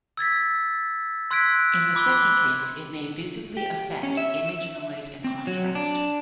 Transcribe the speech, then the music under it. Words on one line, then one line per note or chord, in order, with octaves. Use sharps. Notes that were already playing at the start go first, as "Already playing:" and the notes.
In the second case, it may visibly affect image noise and contrast.
E6 G#6 A6 B6
C6 E6 F#6 G#6 B6 D7
B5 D6 E6 F#6 G7
G4
C#4
E5
C4
F#3
D4